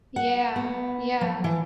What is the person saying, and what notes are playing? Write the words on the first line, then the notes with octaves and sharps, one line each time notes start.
Yeah. Yeah.
F#5
B3
F3
E3